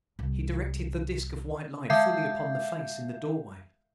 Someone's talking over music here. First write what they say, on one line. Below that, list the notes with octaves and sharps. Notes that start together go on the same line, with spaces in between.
He directed the disk of white light fully upon the face in the doorway.
C2
D3 G#3 E5 F5 G6 C7